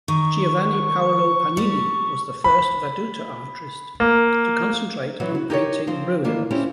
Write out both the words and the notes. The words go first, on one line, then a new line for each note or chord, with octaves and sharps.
Giovanni Paolo Pannini was the first veduta artist to concentrate on painting ruins.
D#3 C#6
G3
B5
A#3
E3 F#3 B3 F#4
F#4
D#4 G4 A#4 C#5
F3 C4
D#3 E3 A#3 D4 F4
C4 C#4 E4 F4 G4